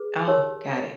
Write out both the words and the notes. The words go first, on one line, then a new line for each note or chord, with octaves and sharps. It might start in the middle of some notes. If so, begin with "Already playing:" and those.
Oh, got it,
Already playing: G#4 B4
D#4 G4 A#4 C#5